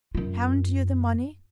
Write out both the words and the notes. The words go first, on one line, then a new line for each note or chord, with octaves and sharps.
Haven't you the money?
F#2 F4